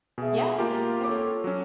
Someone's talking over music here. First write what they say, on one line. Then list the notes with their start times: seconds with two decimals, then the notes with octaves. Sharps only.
Yeah. They just couldn't.
0.18 B2 G#4 E5
0.58 A#3 F4 G4 A#4
1.04 A4 C#5 D6
1.44 F#3 C#4